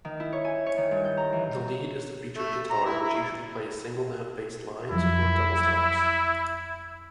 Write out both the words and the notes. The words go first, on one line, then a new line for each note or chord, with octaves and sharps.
The lead is the featured guitar, which usually plays single-note-based lines or double-stops.
D#3
E4
C#5
G#5
C#5
D#3
G2
G6
A#5
E3
A3
A#5
E4
E4
F2 F3 F#3 E4